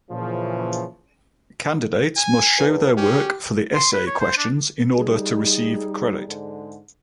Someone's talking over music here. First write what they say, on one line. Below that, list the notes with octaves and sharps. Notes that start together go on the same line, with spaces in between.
Candidates must show their work for the essay questions in order to receive credit.
A#2 C#3 E3 F3
G#5
E2
C#4 G4
C6
B4
C#5
C5
D4
G3 D#4 G#4
G#2 D3